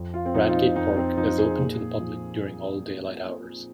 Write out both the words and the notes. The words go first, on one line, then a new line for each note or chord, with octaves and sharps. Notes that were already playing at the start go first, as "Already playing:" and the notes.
Bradgate Park is open to the public during all daylight hours.
Already playing: F2
F4
C4
F3 D#4
F4
D#4
F2 D#4
C4
F3 D#4
G#4
A#2
F3